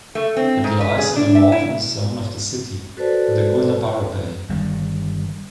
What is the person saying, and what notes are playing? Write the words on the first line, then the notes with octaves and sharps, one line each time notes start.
It lies in the northern zone of the city, in the Guanabara Bay.
A3
C4
G#2
B4
G#4
D4
E5
E4
F#4 A4 B4 C5 D5 A5
G1 G2 D#3 G3